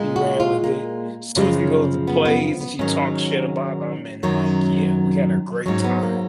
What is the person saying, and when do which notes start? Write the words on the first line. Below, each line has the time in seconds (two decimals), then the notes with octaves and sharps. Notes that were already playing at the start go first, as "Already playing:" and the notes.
He ran with it. Susie goes to plays and she talks shit about them and like, yeah, we had a great time.
Already playing: A#2 G#3
0.16 F#4
0.40 F4
0.64 A#3
1.36 F#2 C#3 F3 G#3
2.07 B3
2.25 B3
2.61 B3
2.79 G#2 D#3 F#3 C#4
4.23 F#2 D#3 F#3
5.66 G#2 F#3 C#4
5.84 B3
6.03 A#3